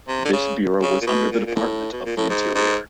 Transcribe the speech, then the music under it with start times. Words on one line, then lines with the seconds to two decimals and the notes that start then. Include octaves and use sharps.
This bureau was under the Department of the Interior.
0.08 C3
0.25 D3
0.33 C#3
0.82 C#3
1.02 A#2
1.07 B2
1.32 A#2
1.47 A#2
1.56 A2
1.92 B2
2.05 A#2
2.17 A2
2.29 G#2
2.55 G#2